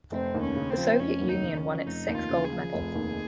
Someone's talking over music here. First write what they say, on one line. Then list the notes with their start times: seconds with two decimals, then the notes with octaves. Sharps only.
The Soviet Union won its sixth gold medal.
0.12 F1 C4
0.34 D#2
0.41 C#4
0.56 C#3
0.70 C4
0.77 F3
0.99 F1 C#4
1.22 D#2
1.28 D#4
1.43 C#3
1.57 C#4
1.65 F3
1.86 F1 D#4
2.08 D#2
2.15 F4
2.30 C#3
2.45 G#4
2.53 F3
2.74 F1
2.95 D#2